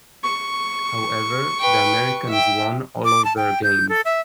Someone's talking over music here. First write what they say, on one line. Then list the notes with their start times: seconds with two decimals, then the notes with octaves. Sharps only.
However the Americans won all of their games.
0.23 C#6
1.59 B4 G5
2.29 E5 G5
3.04 D6
3.25 A5
3.37 G5
3.63 G6
3.89 A4
4.05 E5